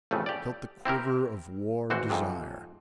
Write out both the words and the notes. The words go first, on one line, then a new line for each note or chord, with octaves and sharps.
He felt the quiver of war desire.
A1 F2 C#3 A3
G4 D5
C4 E4 G4 A#4
G#1 E3 F#4 C5
F2 G#2 C3